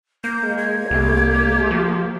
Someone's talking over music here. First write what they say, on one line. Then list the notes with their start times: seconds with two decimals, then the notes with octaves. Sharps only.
and a little bit more,
0.24 A#3 G6
0.58 G#6
0.91 C2 A#3 G4
1.71 F3